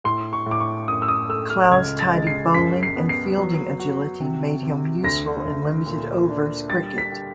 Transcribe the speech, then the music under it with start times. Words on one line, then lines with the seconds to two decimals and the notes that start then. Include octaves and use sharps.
Clough's tidy bowling and fielding agility made him useful in limited-overs cricket.
0.04 A2 C6
0.33 C#6
0.46 A2
0.51 D6
0.60 C#6
0.88 F#2 D#6
1.02 E6
1.08 D#6
1.29 A3 E6
1.50 F6
1.71 C#2 G#6
1.99 A6
2.13 G#3
2.27 C7
2.54 F#2 B6
2.83 C7
2.96 B3
3.09 C7
3.37 F#3
3.80 F#4
4.20 C3
4.63 C3
5.04 D2 A#6
5.45 D2
5.86 A#2
6.29 D4
6.70 G3 A6
6.98 B6
7.12 G4